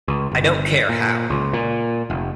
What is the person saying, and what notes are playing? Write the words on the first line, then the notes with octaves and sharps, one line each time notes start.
I don't care how.
C#2
G1
A#2
C#2
A#2
F1